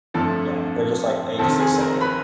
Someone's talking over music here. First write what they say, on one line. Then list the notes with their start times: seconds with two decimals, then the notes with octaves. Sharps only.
Yeah. They're just like they just accept it.
0.14 G1 F2 D3 F3 A3 A4 A5
1.39 F1 F2 C3 D#3 A4 A5
1.60 G#4 G#5
1.81 A#4 A#5
2.01 B4 B5